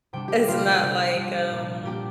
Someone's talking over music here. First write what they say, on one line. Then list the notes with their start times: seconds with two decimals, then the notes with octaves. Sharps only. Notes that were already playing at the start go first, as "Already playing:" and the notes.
it's not like, um,
0.13 C3 G3 D4 G5
0.28 G4 G5
0.47 C3 G3 D4 F4 F5
0.83 C3 G3 D4
1.17 C3 G3 D4
1.51 A#2 A#3 D4
1.83 A#2 A#3 D4 G4 G5